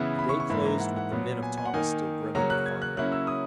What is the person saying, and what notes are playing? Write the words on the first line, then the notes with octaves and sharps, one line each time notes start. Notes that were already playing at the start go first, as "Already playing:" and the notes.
The day closed with the men of Thomas still grim and defiant.
Already playing: C#3 E3 B3 E4
B5
C#6
C#6
G#2 E3 A#3 E4 B5
A#5
F#5
F#5
A#2 F#3 B3
G#5
G#5
F#5
D#3 A#3 D#4 G#5
C#3 F#3 A#3 C#4 A#5
F#6
G#6
F#6
C#3 F#3 A#3 C#4 E4 F#6
E6
D#6